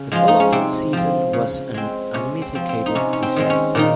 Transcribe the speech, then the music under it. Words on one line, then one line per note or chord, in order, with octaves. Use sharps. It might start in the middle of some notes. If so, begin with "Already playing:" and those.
The following season was an unmitigated disaster.
Already playing: C#3
F3 G#3 F4
D#4
C#4
C3 C4
F3 C4
C#3
G#3 C4
C3 C#4
C4
F3 C4
C4
D#4
C3 C#4
C#4
C4
D#3 G#3 C4
C#4
A#2 D#3 D#4